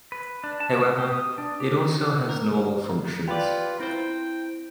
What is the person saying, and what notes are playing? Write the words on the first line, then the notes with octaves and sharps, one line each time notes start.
However, it also has normal functions.
B4
D4
A5
A#3
G4
D#6
D4
G4
D#3
A#4
F4 G4 B4 D5 G5
C4 E4 C5 G5